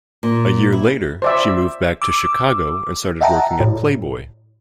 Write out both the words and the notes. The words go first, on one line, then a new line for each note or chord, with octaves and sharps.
A year later, she moved back to Chicago and started working at "Playboy".
A#2
E4
C5 D5 E5
D6 E6
D#5 E5 F#5 G5 A5 A#5
A2